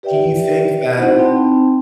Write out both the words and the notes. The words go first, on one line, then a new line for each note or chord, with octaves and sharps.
do you think that
G4 B4 D5 E5 G5
C4 D#4 E4 F#4 C5 F#5
C4 D#4 G5 A5 B5